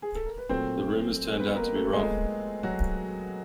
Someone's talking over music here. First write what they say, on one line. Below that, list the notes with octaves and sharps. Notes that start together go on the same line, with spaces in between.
The rumours turned out to be wrong.
G#4
A4
A#4
B4
A#2 F#3 A3 C4 C5
B3 B4
A#3 A#4
A3 A4
G#3 G#4
F#3 F#4